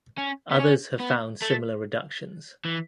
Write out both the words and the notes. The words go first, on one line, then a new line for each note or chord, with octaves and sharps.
Others have found similar reductions.
C#4
B3
C#4
B3
A3
E3